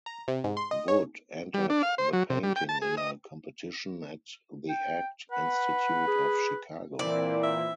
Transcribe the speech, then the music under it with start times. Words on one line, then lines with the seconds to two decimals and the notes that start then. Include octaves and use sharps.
Wood entered the painting in a competition at the Art Institute of Chicago.
0.06 A#5
0.28 C3
0.44 G#2
0.57 C6
0.71 D#5
0.88 C#5
1.54 G3
1.70 D4
1.83 F5
1.98 C5
2.13 F#3
2.30 C3
2.43 G3
2.56 G5
2.69 A5
2.82 G#4
2.97 D#5
4.69 G5
5.32 B4 F#5
6.07 G#4
6.99 A#2 E3 C4 E4 D5
7.43 E5